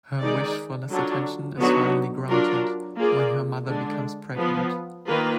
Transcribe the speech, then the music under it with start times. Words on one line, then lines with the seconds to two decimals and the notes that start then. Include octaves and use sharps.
Her wish for less attention is finally granted when her mother becomes pregnant.
0.20 D#3 G#3 D#4 G#4 D5
0.90 D3 F#3 D4 F4
1.58 D3 F#3 B3 D#4 F#4
2.28 F#3 D4 F4 A#4
2.97 A#3 F4 G#4 D5
3.66 D3 G#3 D4
4.36 F3 B3 F4 B4
5.05 D#3 A#3 F4 B4